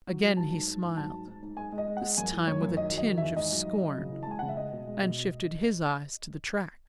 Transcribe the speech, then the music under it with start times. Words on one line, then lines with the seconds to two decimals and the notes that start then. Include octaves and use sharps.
Again he smiled, this time with a tinge of scorn, and shifted his eyes to the track.
0.08 F#3
0.23 F#3
0.37 G#2 A5
0.52 G#2
0.67 G#2
0.82 G#2
0.97 F#3 A5
1.12 G#2
1.27 G#2
1.42 G#2
1.57 G#3 G#5
1.72 G#3
1.78 D#5
1.88 G#3
1.97 F#5
2.02 G#3
2.17 F#2 G#5
2.33 E3
2.47 F#2 C#5
2.62 F#2
2.77 D#3 D#5
2.92 F#3
2.98 D#5
3.07 D#3
3.18 E2 E5
3.36 G#2 D#5
3.52 F#3
3.67 F#3
3.82 F#3
3.98 C#3
4.12 E3
4.23 A5
4.27 G#3 G#5
4.39 C#3 F#5
4.49 E5
4.57 G#3 D#5
4.72 B2
4.87 G#3
5.02 B2